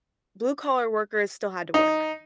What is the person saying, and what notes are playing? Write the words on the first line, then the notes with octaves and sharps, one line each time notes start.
blue collar workers still had to work
D#4